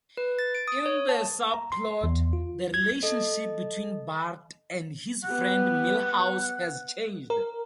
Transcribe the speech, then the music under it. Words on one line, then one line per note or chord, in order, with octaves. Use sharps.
In the subplot, the relationship between Bart and his friend Milhouse has changed.
B4
A6
D7
D#6
C#5
A5
A#5
C6
E2
F4
G#6
A4 D#5
B3 G4 F#5
A#4